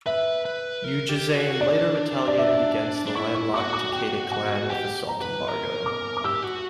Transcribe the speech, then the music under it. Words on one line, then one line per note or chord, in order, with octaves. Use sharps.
Ujizane later retaliated against the landlocked Takeda clan with a salt embargo.
B4 E5
B4
A#4
G4
F#4
D4 D5
D5
E5
D4
E4 C#6
C#6
F#4 D6
D6
G5
F#5
G4 F#5
A#5
B4
A#4 A#5
D6
D6
G4 E6
F#4